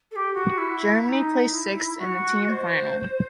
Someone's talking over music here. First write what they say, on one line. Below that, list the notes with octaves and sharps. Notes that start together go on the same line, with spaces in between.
Germany placed sixth in the team final.
A4
G4
F#4
E4
E4
D#4
E4
F#4
D#5
C5